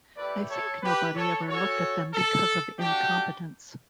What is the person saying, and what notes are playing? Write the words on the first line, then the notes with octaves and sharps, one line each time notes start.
I think nobody ever looked at them because of incompetence.
A3 E4 G4 B4 D5
A4 C#5
G4 B4
A4 C#5
C#4 F#4 A4 C#5
A4
A3 D4 F#4 G4